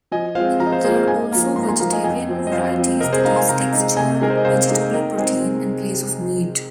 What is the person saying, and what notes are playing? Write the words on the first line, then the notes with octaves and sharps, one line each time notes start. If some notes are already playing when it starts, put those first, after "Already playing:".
There are also vegetarian varieties that use textured vegetable protein in place of meat.
F3 D#5 G#5
G#3 C4 F4 C5 F5
F3 F5 A#5
D#5
C5 F5
G#3 C4 F4 G#4 C5
C5 F5
G#2 D#5 G#5
F3 A#3 F5 A#5
G#2 G#5 C6
A#5
G#5 C6
F3 A#3 F5 A#5
D#5 G#5
F2 D#5 G#5
F3 C4
D#5
F2 C5 F5
F3 C4
C3 A#4 D#5
G#4 C5
G#3 D#4 F5 A#5
G#5 C6
C3 F5 A#5
G#3 D#4
C3 D#5 G#5
G#3 D#4 G#4 A#4
C5
D#5
C3 C5 F5
G#3 D#4 G#4
D#3 A#4 D#5
G#3 C4 D#4 G#4